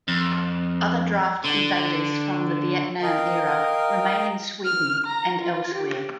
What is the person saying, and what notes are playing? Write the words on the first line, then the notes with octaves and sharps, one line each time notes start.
Other draft evaders from the Vietnam era remain in Sweden and elsewhere.
F2
D3
A#4 D#5 F5 G5
F6
A#5
F4
G4